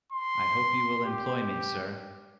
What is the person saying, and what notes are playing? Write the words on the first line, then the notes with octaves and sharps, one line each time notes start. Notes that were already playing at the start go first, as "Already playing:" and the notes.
I hope you will employ me, sir.
C6
G4